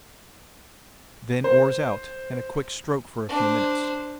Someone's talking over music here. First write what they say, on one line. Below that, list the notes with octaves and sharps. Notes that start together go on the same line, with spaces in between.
Then oars out, and a quick stroke for a few minutes.
C5
D4 C5